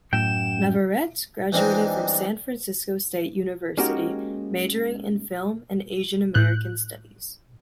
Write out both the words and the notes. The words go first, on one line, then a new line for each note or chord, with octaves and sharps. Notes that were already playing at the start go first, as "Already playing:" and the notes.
Navarrete graduated from San Francisco State University, majoring in film and Asian American studies.
F#2 A2 G5 E7
E3 G3 G#3 C4 D4 D#4
G#3 A#3 C#4 D#4 F#4 G4
A2 F#6 G6